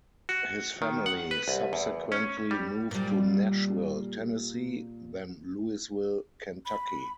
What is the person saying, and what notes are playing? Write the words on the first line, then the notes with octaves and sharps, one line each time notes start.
His family subsequently moved to Nashville, Tennessee, then Louisville, Kentucky.
F#4
D#3
F#5
B4
C2
E2
C#4
G3
A#2 G3
B5